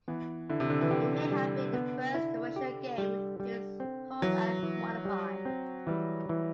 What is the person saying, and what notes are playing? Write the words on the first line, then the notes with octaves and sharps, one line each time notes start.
It may have been the first commercial game to use Hold-And-Modify.
E3 B3
D3 E4
C3
D3
E3
D3 G4
G3
B3
E4
G4
G3
G3
C4
E3 F#3
E3
G3
C4
E3 G3
E3